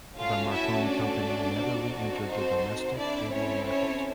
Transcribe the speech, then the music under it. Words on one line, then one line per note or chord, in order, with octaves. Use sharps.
The Marconi Company never re-entered the domestic radio market.
A3 C#4 F4 F#4 A4 F5
E4 E5
D4 D5
C4 D#4 F#4 A4
C5
C4 D4 E4 A4 D5
C#4 C#5
C#4 C#5